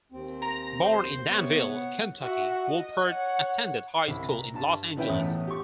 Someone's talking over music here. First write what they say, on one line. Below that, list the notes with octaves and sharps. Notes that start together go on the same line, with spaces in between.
Born in Danville, Kentucky, Woolpert attended high school in Los Angeles.
D#2 C4
A#5
C5
C3 B3 C#5
F#5
F#4 E5
D#5
C#5 F#5
C2 B5
A#5
G2 A5
D#3 C#4 E4 B4 E5 G5
A1 E2 A2 A3 B3 D#6
G4 C#6